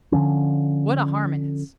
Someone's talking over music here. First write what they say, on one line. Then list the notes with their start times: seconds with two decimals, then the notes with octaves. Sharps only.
What a harmonist!
0.12 D3 D#3 F3 C#4